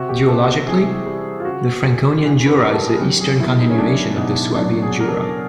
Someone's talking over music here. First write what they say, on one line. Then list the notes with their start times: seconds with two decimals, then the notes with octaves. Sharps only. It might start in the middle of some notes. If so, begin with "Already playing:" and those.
Geologically, the Franconian Jura is the eastern continuation of the Swabian Jura.
Already playing: C3 F#4
0.09 G4
0.28 C3 A4
0.48 A4
0.67 E3 G#4
1.06 G3
1.40 F4
1.45 C#3 F#4
1.84 C#3
2.23 E3
2.46 B4
2.60 G3 A#4
2.73 A4
2.87 G#4
3.01 F#3 G4
3.20 G#4
3.40 B2 E4
3.60 D#4
3.70 C#4
3.78 F#3 D4
4.17 B2 D#4
4.56 F#3 D4
4.82 G#4
4.95 C#3 A#4
5.08 A4